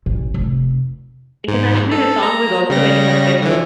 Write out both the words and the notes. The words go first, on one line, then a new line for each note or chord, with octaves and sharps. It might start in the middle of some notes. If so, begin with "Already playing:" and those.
Internationally, the song was also very successful.
A1
F1
G#2
A4
A#5
C#3 G3 A#6
D3 E3